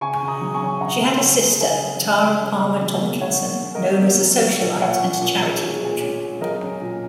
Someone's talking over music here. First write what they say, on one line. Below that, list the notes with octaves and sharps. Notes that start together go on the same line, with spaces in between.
She had a sister, Tara Palmer-Tomkinson, known as a "socialite" and charity patron.
C#3 G#5 C#6
C#3
A#5 D#6
F#3
G#5 C#6
C#4
C#4 F#5 A#5
F#3
C#3
C#3
C#4 D#5 G#5
F#3
F#3
C#3
C#4
C#3
F#3
A#3
F#3 C#5 F#5
A#3
C#4
A#4 D#5
F#3
A#3
A#3
F#3
A#2
A#2 C#5 F#5
C#4
A#2
G#3
G#3
A#2
C#4
G#3
F#3 A#4 D#5
C#4
A#2